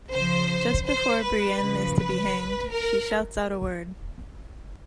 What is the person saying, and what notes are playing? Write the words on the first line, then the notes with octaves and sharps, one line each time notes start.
Just before Brienne is to be hanged, she shouts out a word.
C#3 F3 C5
C5
B4
C#3
F3
B4
A#4